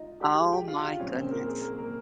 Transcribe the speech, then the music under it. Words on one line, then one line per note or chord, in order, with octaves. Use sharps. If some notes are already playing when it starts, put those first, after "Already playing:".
Oh my goodness.
Already playing: D#4 F4 D#5
G4 G5
G#4 G#5
G4 G5
F4 F5
F4 F5
A#2 F3 C4 C#4 C#5
C4 C5
A#3 A#4
G#4
A#3 A#4
A#3 A#4